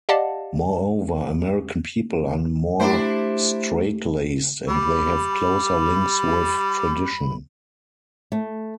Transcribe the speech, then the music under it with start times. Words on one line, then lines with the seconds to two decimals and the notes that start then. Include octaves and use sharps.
Moreover, American people are more straitlaced and they have closer links with tradition.
0.09 G4 D5 D#5 F5 F#5 A5
2.80 A3 D4 E4 G4 C5
4.68 G3 B5
8.32 A3